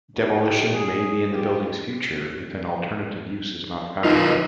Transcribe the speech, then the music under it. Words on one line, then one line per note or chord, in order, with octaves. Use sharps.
Demolition may be in the building's future if an alternate use is not found.
G#2 D#3 E3 F#3 D#4 G4
G#4
F4 G4
D#4 F4 A#4 B4